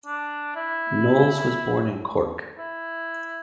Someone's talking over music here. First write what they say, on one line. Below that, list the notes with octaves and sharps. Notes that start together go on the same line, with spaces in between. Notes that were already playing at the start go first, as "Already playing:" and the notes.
Knowles was born in Cork.
D4
E4
E4